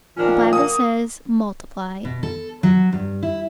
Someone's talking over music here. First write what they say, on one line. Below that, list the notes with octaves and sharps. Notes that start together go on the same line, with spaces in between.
The Bible says: Multiply.
A#2 D#3 F3 C#4 D4 F4 A#4
F#3 A#3 D#6
B2
A4
F#3
G2
E4